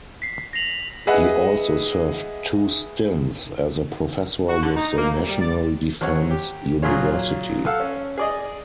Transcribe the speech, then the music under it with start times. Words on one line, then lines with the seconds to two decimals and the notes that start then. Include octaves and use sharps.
He also served two stints as a professor with the National Defense University.
0.22 B6 C7
0.53 A#6 C7 F7 F#7
1.07 G#4 B4 D#5 E5 F#5
4.49 F#4
4.62 D3
4.76 D#4
4.98 A#3
5.15 D2
5.27 G3
5.40 D5
6.01 D#2 C4 C#5 F#5
6.31 G4
6.82 A#2 F#3 F4 G#4 C#5
7.66 A4 F5 F#5 E6
7.80 C#4
8.18 G#4 D5 D#5